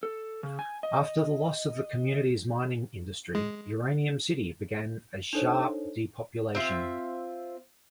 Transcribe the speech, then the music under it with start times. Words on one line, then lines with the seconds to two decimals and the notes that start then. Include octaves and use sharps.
After the loss of the community's mining industry, Uranium City began a sharp depopulation.
0.03 A4
0.43 C#3
0.59 G#5
0.83 D#5
3.35 G#3
5.33 D4 D#4 A4 C5 C#5
6.55 C4 F4 E5